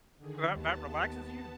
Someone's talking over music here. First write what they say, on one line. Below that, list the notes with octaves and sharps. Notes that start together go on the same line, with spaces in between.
That that relaxes you?
D3 D#3 G#4
D#2 B3 A5